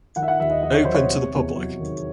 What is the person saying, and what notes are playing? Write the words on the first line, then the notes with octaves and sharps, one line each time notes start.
Open to the public.
D#3 F#5
E5
F#5
D#2 E5
D#5
D#2 D#5
C#5
F#3 C5
C#5
C3
E2
F#3
D#3